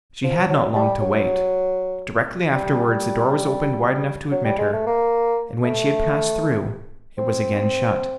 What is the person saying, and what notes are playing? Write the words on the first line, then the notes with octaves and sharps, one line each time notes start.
She had not long to wait; directly afterwards the door was opened wide enough to admit her, and when she had passed through, it was again shut.
F3
F#3
G3
F#3
G3
F#3
G3
G#3
A3
A#3
A3
C4